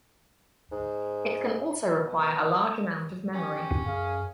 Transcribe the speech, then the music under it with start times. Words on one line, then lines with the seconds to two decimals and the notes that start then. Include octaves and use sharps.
It can also require a large amount of memory.
0.72 G#2
1.96 B2
3.35 C#4 G4
3.86 F#2 G#4 F5